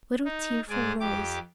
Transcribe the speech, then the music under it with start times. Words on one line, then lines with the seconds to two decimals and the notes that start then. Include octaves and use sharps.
Little tearful rose!
0.25 D#4
0.69 G#2 G#3 D5 G#5
1.00 F2 G4 D6